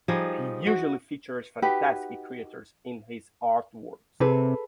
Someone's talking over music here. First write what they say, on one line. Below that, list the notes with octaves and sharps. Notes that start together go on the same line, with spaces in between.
He usually features fantastic creatures in his artworks.
F3 G3 D#4 G#4
F#4
D#4 F#4 G4 B4
C3 G#4 A4 B4